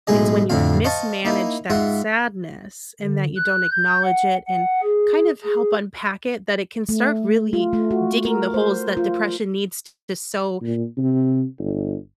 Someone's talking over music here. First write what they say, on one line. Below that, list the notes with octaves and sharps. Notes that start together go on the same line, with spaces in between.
it's when you mismanage that sadness, and that you don't acknowledge it, and kind of help unpack it, that it can start really digging the holes that depression needs to sow
B1 A2 G#3 G#4 D#5
F2 A2 D3 C4 F5
C5 D#5 F5 A5 C#6
A#3 D#4 E4
G#2 F4 E5 F#5 C6
D3
F#6
G6
F#5
F#5
G#4
G#4
A3
F4
A3
F#4
A#4
C5
F4
A#2
C3
G1